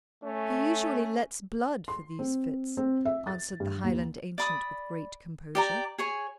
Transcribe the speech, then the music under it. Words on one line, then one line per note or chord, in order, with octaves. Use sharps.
'He usually lets blood for these fits,' answered the Highland ancient with great composure.
A3 C#4
C6
C4
C4
E5
A6
G2
D#2
D5 B5 D#6
G4 D5 A#5
G#4 C#5 G#5